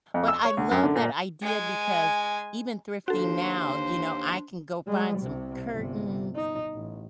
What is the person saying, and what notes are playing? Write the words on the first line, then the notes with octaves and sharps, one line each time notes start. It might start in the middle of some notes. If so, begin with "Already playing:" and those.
but I love that idea because even thrifting now, you know, I can go find some curtains,
F2
E6
C#5
D2
F#2
D3
A#2
G#3 G#5
D#2 D4 F#4 A4 C5
G3 G#3
C2 C3
G1 C3
D#4
A1